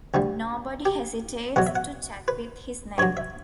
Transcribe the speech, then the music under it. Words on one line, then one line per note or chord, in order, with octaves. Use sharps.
Nobody hesitates to chat with his neighbor.
D2 D3 G3
G4
E2 B2 F#3 F#5
E5
F#5
B4
G2 F#3 C#5
E5